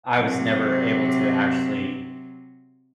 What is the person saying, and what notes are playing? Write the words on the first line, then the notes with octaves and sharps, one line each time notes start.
I was never able to actually
C3 F#3